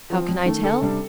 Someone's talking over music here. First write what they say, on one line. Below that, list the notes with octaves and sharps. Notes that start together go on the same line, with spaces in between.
How can I tell?
F3 C4
F2
D#3 A3
D2 A4
C3 G3 D4